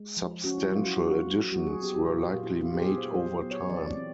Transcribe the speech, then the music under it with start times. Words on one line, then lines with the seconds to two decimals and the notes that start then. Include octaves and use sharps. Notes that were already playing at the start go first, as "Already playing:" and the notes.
Substantial additions were likely made over time.
Already playing: G#3
0.17 F3
0.44 C#4 F#4
0.58 E4
0.71 F#3 F4
0.85 F#4
0.98 F#3 F#4
1.26 A#3
1.52 F#3 F#4
1.67 G#4
1.80 B3 G4
1.94 F#4
2.07 A#2 F4
2.25 F4
2.33 A#2
2.43 E4
2.61 B3 F4
2.74 G4
2.78 G#4
2.89 B3
2.98 C5
3.15 F#3 C5
3.42 B3
3.51 C#5
3.69 E3 D5
3.88 D5
3.97 C4